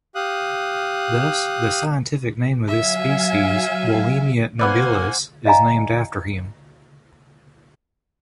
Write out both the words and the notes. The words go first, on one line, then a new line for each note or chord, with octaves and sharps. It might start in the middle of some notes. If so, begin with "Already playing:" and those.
Thus, the scientific name of this species, "Wollemia nobilis", is named after him.
G4 F5 D#6 F#6
F#3 E5 F5 G#5
A#3 B3 B4 C5 D5 F#5 G#5
D5 D#5 F5 G#5 A#5